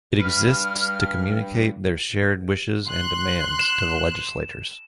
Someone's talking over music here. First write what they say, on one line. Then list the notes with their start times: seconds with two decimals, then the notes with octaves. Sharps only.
It exists to communicate their shared wishes and demands to the legislators.
0.20 G2 B4 F6
2.90 C6 F#6
3.59 E7